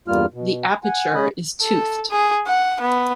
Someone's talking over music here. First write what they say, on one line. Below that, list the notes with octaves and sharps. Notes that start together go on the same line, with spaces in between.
The aperture is toothed.
E2 G2 G3 A#3 F4 F6
B2
F#5 G#5
C#3 G#3 C#4 D#5 B5 D#6
A4
G#4
F#5
B3